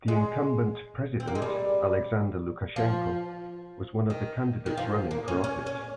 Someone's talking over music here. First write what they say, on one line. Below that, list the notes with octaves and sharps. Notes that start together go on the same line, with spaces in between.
The incumbent president, Alexander Lukashenko, was one of the candidates running for office.
G#3
C4
A#3
G#3
G3
F3
D#3
D#3
F3
A#3
C#4
C#4
C#4